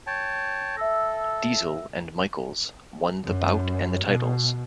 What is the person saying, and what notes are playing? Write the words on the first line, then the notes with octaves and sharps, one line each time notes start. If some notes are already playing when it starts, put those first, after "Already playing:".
Diesel and Michaels won the bout and the titles.
C#5 G5 A5
A4 E5 E6 A#6
F#2
B2